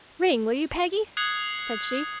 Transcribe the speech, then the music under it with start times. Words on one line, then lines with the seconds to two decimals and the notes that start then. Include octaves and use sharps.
"Ring, will you, Peggy?" said she.
1.17 D#6 F#6 G#6 C7 C#7 F#7